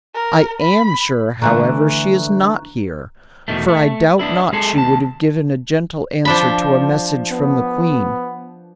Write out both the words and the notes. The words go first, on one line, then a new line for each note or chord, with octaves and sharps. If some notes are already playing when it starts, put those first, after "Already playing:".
I am sure, however, she is not here, for I doubt not she would have given a gentle answer to a message from the queen.
A#4
B5
D3 E3 A3 A#5 C#6 F#6
E2 G#2 B2 D#3 A3
A3
B3 D4 E4
G#3 G#4 A4
D#2 A5
F3 D4 B5
B3